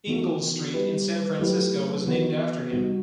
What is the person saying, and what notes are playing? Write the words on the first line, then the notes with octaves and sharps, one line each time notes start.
Ingalls Street in San Francisco was named after him.
E3 B3 D#4 F#4
G3 D#4 G4 B4
F#3 A3 E4 G4 B4
E3 B3 F#4 B4
B2 G3 D#4 F#4